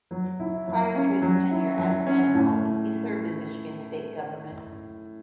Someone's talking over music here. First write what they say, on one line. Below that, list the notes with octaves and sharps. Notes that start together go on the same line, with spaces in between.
Prior to his tenure at Grand Valley, he served in Michigan state government.
F#3
E4
F#3
C#4
F#3
E4
F#3
C#4
A2